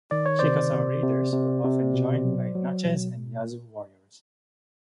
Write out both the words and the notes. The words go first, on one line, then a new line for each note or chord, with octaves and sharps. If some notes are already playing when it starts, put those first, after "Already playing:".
Chickasaw raiders were often joined by Natchez and Yazoo warriors.
D#3 D5
C#5
C3 C5 D5
C3
C3
C3
C3
B2
F#3
F#3
B2